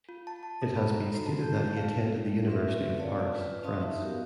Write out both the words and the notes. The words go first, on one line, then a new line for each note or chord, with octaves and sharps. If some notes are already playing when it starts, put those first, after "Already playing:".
It has been stated that he attended the university of Paris, France.
F4
A5
A5
A4
B5
A#5
A4
F#4
A5
G6
A5
F5
C4 C#4 F#4 A#4 B4 E5
C#5 D5 F5 A5
F4 B4
C#4 D#5 F5 A5 C6 D#6
D#4 E5
B3 F#4 G4 A#4 F5